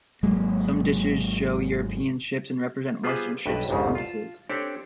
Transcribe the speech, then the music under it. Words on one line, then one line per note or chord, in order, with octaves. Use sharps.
Some dishes show European ships, and represent Western ship's compasses.
G#1 F#3 G#3 A#3
G3 B3 F4 G#4 B4 C5
B1 G2 B4 D5 D#5 A5
G1 C2 F2 G#2 C#3
F4 A5
C4 D4 G4 A4 C#5 D5